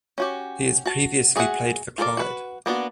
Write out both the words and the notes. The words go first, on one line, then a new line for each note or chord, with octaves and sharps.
He has previously played for Clyde.
C#4 F#4 G4
F#4 A5
F#4 G#4 D5 E5 F#5
F4 A4 A#4 C#5 D5
F#4 B4
A#3 B3 D4 F#4